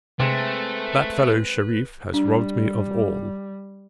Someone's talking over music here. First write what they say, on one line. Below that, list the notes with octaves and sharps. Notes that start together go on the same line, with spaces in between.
That fellow Sherif has robbed me of all.
C3 G#3 A3 C4 B4
G3 D4